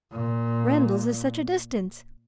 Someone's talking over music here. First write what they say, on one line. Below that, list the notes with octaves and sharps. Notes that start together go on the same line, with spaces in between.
Randalls is such a distance.
A#2